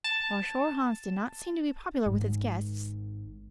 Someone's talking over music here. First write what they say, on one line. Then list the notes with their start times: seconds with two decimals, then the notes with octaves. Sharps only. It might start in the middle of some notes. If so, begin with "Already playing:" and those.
Our shore haunts do not seem to be popular with its guests.
0.04 A5
2.06 G#1 G#2